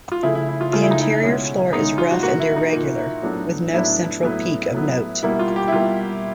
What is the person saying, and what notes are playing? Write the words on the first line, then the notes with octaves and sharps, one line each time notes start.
The interior floor is rough and irregular, with no central peak of note.
F4
C#3 F3 A3 E4
E4
E4
F4
C#3 F3 A3 F4
E4
D#4
E4
B2 G#3 C#4
B2 G#3 C#4 D#4
F4
F#4
A#2 F3 A#3 F#4
E4
D#4
A#2 F3 A#3
A2 F#3 B3 D4
A2 F#3 B3 D4 E4
A2 F#3 B3
A2 F#3 B3
B2 G3 A#3 E4
F4
G4
E4
B2 G3 A#3 F4